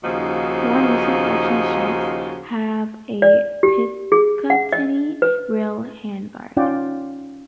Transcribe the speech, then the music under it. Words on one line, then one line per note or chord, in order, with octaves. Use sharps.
More recent production Shrikes have a Picatinny rail handguard.
D#2 C#3 F3 D#4 F#4 C5
D5
G4
G#4
F#5
D#5
B4
C#4 D#4 F4 D5 F#5 G5